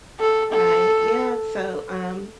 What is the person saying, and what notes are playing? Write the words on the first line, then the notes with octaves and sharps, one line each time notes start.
Right, yeah, so, um,
A4
A4